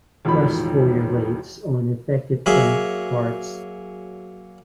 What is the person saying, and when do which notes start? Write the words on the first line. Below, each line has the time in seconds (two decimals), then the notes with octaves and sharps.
Rust sporulates on affected plant parts.
0.25 E1 A1 D#3 F3 B5
2.46 F#3 A#3 G#4 E5